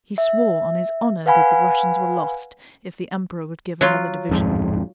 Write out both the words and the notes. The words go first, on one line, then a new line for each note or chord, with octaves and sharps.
He swore on his honor that the Russians were lost if the Emperor would give another division.
E5
B4 F5 F#5 G#5 B5
F#3 F4
D1 F2 G#2